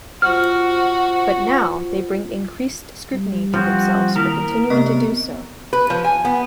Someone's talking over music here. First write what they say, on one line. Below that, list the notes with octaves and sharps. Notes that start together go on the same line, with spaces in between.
But now they bring increased scrutiny to themselves for continuing to do so.
F4 F#4 C5 F6
G3
F3 C4 F#4
D#3 A#3 E4 A#4
C3 A3 B3 D#5 A#5
B4
F3
G#5
B3